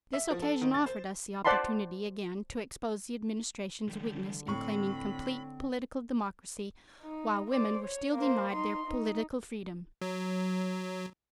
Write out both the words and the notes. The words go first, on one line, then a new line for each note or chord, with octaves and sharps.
This occasion offered us the opportunity again to expose the Administration's weakness in claiming complete political democracy while women were still denied their political freedom.
E5
F3
A4
D#3
A6
C5
C5 D5 F#5 A5 B5 C6
D3 E3 G3
A2 C4 B5 C#6
D#4
C5 D5
C#5
A#3 C5
D#4 C6
D#4
F#3